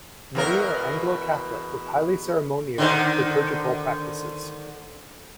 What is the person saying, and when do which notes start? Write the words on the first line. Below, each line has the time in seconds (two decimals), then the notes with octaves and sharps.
Many are Anglo-Catholic with highly ceremonial liturgical practices.
0.35 E2 B2 A#4
2.78 D3 D#3 C5